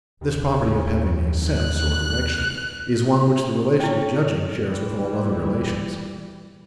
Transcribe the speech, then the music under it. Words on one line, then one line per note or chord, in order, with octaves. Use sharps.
This property of having a 'sense' or 'direction' is one which the relation of judging shares with all other relations.
D#2
F#6
C#4 E4 G5
E3 G3